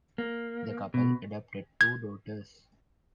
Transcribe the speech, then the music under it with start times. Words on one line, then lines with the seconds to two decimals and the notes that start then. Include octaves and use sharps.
The couple adopted two daughters.
0.18 A#3
0.94 B2
1.81 G#6